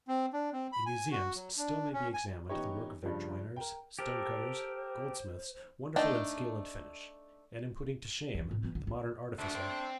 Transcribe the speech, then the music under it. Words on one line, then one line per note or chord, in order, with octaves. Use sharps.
In museums still may be examined the work of their joiners, stone-cutters, goldsmiths, wonderful in skill and finish, and in putting to shame the modern artificer....
C4
D4
C4
B5
G#5
F#4
F#3
D4
C#4
G#5
E3 B3 C#4 D#4 G4 C#5
G2 C#3 F3 G3
A#4 G5
G4 A4 A#4 C5
A3 D4 D#4
E3 F3
F2 A2
E3 B3
D3
C#4
D2 A3 D4 F#4
C5 G5